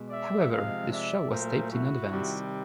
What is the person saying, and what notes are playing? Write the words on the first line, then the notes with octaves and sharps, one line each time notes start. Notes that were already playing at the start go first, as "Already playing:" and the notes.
However, this show was taped in advance.
Already playing: B2 G#3
D5 E5
C3 F3 G#3 D#5 F5
D5 E5
A#2 F#3 A3 A#4 C5
E4 F#4
C3 D#3 G3